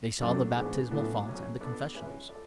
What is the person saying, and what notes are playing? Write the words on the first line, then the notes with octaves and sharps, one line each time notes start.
They saw the baptismal font and the confessionals.
F#2 F#3 A3 D4 A4 D5
G#2 C#3 E3 B3 D4
A2 C#3 F#3 B3 D4 F#4
A2 F#3 C#4
B3 D4 A4 D5
G#3 C#4 E4 B4
A4 D5